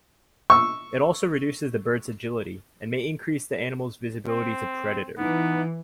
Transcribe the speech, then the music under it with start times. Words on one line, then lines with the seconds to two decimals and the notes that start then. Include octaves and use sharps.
It also reduces the bird's agility, and may increase the animal's visibility to predators.
0.50 C#6 E6
4.28 C4
5.18 E3 B3 D#4